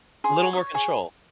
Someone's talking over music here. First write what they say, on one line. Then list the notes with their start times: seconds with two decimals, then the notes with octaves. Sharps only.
Little more control.
0.24 G#4 C6
0.42 C#5
0.53 D#6
0.58 C#5 C#6
0.74 G#4 C#6